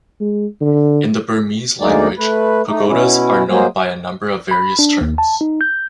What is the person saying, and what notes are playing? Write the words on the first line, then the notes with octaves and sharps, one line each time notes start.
In the Burmese language, pagodas are known by a number of various terms.
G#3
D3
D2 G#3 A#3 D#4 D5
A3 B4
A3 D#4
B2 C#4 E4
F#3 G#3 A#3 G#4 C5
B5
D4
D#2
A5
D#4
G6